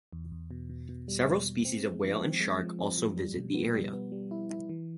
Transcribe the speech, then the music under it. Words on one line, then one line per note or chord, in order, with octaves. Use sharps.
Several species of whale and shark also visit the area.
E2
E2
B2
B2
B2
G3
B2
B2
C4
G#3
F3
C4
G#3
F3
C4
F3
G3
B2
B3
G3
B3
G3
E4
E4
E3